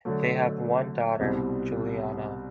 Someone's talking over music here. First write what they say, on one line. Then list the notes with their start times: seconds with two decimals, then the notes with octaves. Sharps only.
They have one daughter, Juliana.
0.05 D3 F#3 A3
1.20 C2 B2 G3 C4